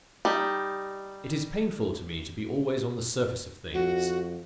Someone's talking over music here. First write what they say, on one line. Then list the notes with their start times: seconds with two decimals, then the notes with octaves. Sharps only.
It is painful to me to be always on the surface of things.
0.25 G3 D#4
3.73 F2 F#4